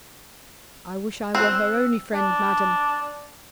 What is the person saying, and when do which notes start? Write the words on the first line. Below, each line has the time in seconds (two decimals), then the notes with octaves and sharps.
'I wish I were her only friend, madam.
1.35 C4 E6 F#6
2.14 D4